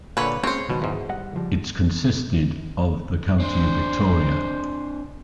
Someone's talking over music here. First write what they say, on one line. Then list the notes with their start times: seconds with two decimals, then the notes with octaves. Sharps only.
It consisted of the County of Victoria.
0.17 A#2 D3 B4 C#5
0.44 G#3 A#3 C4 C#4 A#4 C5 C#5
0.70 C#2 B2 D#3 F#3
0.82 E2 G#2
1.09 G3 D#5 F#5
1.35 C#3 F3 G3
3.40 C4 D4 C5